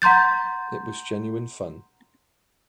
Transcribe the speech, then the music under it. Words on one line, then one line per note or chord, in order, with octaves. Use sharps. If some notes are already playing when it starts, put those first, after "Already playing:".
It was genuine fun.
F#5 A#5 C6 G6 A6